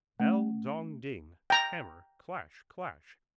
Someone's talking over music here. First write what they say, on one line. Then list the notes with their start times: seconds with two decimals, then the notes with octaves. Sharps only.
Bell, dong, ding; hammer, clash, clash!
0.20 A3 C#4
1.50 G5 A#5